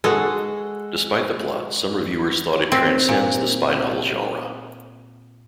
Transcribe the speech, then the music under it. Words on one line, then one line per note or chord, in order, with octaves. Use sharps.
Despite the plot, some reviewers thought it transcends the spy novel genre.
G#3 F#4 G#4 A4
C4
A#2